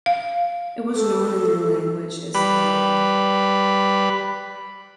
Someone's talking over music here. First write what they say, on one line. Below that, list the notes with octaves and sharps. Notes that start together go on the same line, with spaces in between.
It was known in their language as 'dala'.
F5
A4
G3 B4 B5